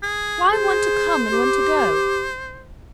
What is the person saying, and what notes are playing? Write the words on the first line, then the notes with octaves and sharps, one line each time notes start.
'Why one to come and one to go?'
G#4
G#4 C5
G4